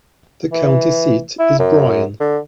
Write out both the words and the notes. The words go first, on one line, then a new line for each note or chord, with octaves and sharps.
The county seat is Bryan.
E3
E4
F#2
D3